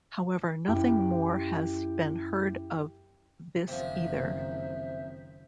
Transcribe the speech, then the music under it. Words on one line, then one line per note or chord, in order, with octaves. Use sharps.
However, nothing more has been heard of this either.
F#2 E4 G4 G5
F#1 C3 D#3 F3 C5 E5